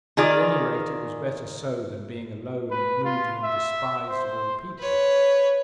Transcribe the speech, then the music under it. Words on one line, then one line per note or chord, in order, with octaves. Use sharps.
At any rate it was better so than being alone and moody and despised of all people.
D#3 F4 G#4 D5
B4
F4
E5
C5
B4 C#5